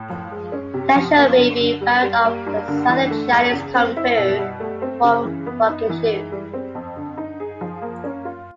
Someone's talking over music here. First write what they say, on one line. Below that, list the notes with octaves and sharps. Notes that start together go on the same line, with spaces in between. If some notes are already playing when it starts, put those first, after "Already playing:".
Tensho may be a variant of the Southern Chinese Kung Fu form Rokkishu.
Already playing: A2
F3
G#3
C#4
C3
F3
A#3
D3
D3
G3
G3
A#3
G2
D3
E3
A3
E2
C#3
C4
E4
B2
G3
A3
C4
C#3
E3
B3
D#4
E3
G#3
G3
C4
F2
D3
D#4
G#4
F3
A#3
C#4
F4